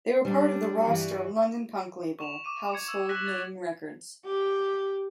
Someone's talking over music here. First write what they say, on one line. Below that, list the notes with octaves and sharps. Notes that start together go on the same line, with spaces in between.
They were part of the roster of London punk label Household Name Records.
G3 D4
G2 E3 F#4
C#6 E7 F7
C#6 D6 D#7
G#6 C#7
C#6 E6 G#6
F#6 A#6 B6 D#7 E7 F#7
G#6 A6 F7
G4